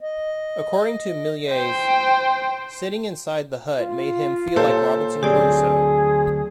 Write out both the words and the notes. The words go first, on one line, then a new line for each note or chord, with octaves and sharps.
According to Millais, sitting inside the hut made him feel like Robinson Crusoe.
D#5
C5 G5
F4
A#2 G4 A4 C5 C#5
D2 F#3 C4 G4 G#4 D5